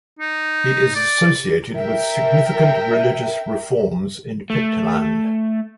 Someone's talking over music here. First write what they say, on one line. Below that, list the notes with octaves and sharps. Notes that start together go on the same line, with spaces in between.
He is associated with significant religious reforms in Pictland.
D#4
D5
A#4 E5 G5
A3